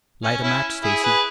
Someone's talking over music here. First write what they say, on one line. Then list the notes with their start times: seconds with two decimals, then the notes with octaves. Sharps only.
"Light a match, Stacy."
0.24 C#4
0.43 C#4 E4
0.83 E4 G#4
1.04 G#4 B4